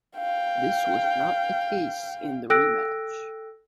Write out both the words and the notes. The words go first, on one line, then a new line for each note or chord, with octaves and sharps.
This was not the case in the rematch.
F5 G5
A4 G5 E6 F#6 A#6 D7